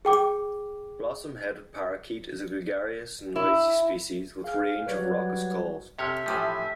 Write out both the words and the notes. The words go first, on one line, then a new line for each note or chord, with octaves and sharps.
Blossom-headed parakeet is a gregarious and noisy species with range of raucous calls.
G#4 G5 D6
E4
G#4 F5 F6
F#3 G3 B4 C#5 D5
C3 G4 A4 C#5 E5 F6
A2 E3 F3 A3 G4 G#5